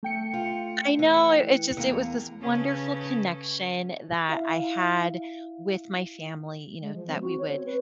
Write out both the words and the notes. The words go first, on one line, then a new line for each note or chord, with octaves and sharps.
I know, it it just it was this wonderful connection that I had with my family, you know, that we would
A3 G5 C#7
F4
E3
E2 A#3
C#3 C#4 A4 B4
E4 E5 F5
G#3
F3
C4
F#4
C#5
C4
B4